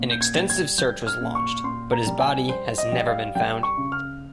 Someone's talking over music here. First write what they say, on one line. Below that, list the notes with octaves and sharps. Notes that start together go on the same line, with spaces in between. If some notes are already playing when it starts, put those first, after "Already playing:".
An extensive search was launched, but his body has never been found.
Already playing: A#2
G6
G#6
G3
G#6
G3 G6
F6
A#2
C#6
A#2 C6
A#5
G3
G#5
G3 C5
D#5
G3
F5
G3 G5
C#6
C#3
F6